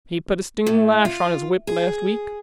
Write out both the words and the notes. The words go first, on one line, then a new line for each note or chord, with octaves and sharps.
He put a stinging lash on his whip last week.
A2
F4
G#4